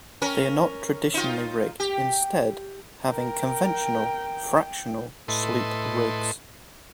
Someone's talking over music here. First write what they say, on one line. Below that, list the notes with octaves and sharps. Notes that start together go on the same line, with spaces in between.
They are not traditionally rigged, instead having conventional fractional sloop rigs.
C#4 A#4
D#4 F4
G4
A#4 G5
A2 E4 A4 B4 D#5 C6